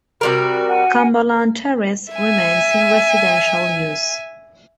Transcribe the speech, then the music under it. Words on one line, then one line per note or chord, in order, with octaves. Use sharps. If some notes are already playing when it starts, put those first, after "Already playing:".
Cumberland Terrace remains in residential use.
C3 G3 F#4 A#4
F#5 G#5
E5 G#5